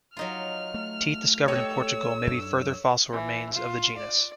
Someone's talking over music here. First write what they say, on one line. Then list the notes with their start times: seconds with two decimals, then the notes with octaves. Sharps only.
Teeth discovered in Portugal may be further fossil remains of the genus.
0.17 F#3 D#4 F4 F6
0.74 A3
1.48 G4 A4 C#5 D#5 E6
2.27 F#2 D4
3.12 E3
3.54 F4
3.97 D5